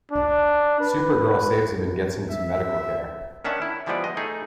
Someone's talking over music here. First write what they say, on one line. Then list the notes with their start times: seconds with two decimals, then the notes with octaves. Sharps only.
Supergirl saves him and gets him to medical care.
0.12 D4
0.80 B4
2.29 E5
3.44 D#3 C#4 D4 E5 F#5 A5
3.62 E4
3.86 E3 F3 G3 G#3 B3 D5
4.04 D#5
4.17 A3 D#4 G#4